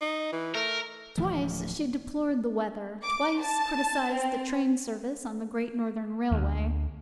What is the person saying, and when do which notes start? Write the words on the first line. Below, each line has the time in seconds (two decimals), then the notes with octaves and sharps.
Twice she deplored the weather, twice criticized the train service on the Great Northern Railway.
0.01 D#4
0.32 E3
0.55 A3 A#4
1.18 D1 E3 F3 A3
3.03 D6
3.40 A5
4.13 C4
6.31 D2